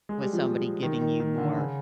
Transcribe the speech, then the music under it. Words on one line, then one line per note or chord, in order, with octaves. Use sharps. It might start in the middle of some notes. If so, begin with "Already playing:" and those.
with somebody giving you more,
G#3
G3
F3
D#3
D#3
D#3
D3
C#3